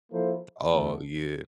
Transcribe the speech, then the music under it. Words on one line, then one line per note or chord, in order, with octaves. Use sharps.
Oh yeah.
F3 A#3 E4 A4 C5
E2 D3 A3